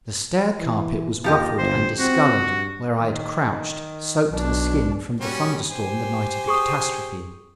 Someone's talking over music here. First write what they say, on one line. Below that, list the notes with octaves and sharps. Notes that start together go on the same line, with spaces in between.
The stair carpet was ruffled and discoloured where I had crouched, soaked to the skin from the thunderstorm the night of the catastrophe.
E3
D#2 F3 G4 D#5
G1 C5
C4 F#4
G2
D#3
B1 D4
G3 C#4 F#4
G4 C5 G#5
G#4 C#6 D#6